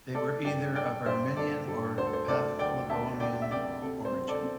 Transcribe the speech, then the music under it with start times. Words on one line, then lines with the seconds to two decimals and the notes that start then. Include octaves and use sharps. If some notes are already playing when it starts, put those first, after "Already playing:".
They were either of Armenian or Paphlagonian origin.
0.15 A3 A4 D5
0.45 G2 D5 G5
0.75 D3 D5 G5
1.06 G2 C5 E5
1.36 G2 A4 D5
1.68 G2 A4
1.98 D2 C5
2.06 A4
2.13 C5
2.28 D2 A4 D5
2.59 D2 D5 G5
2.90 D2 E5 A5
3.20 D2 D5 G5
3.42 E5
3.51 C3 D5 G5
3.82 C3 A4
4.05 C5
4.12 C4
4.28 A4 D5
4.43 C4